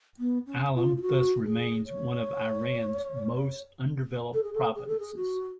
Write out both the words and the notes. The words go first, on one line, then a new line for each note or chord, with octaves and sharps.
Ilam thus remains one of Iran's more undeveloped provinces.
B3
C#4
F4
F4
F#4
G#4
C#5
A4
G#4
A4
G#4
A4
G#4
F#4